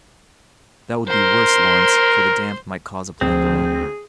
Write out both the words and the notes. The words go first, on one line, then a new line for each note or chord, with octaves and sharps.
"That would be worse, Lawrence, for the damp might cause a plethora."
A#4 C5 C6
D2 F3 C4 G#4